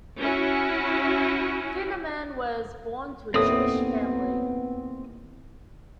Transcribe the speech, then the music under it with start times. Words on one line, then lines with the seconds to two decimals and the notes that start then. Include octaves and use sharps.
Finerman was born to a Jewish family.
0.19 C#4 E4 F#4
3.34 D#2 A2 B3 C4 B4 D5 B5 D#6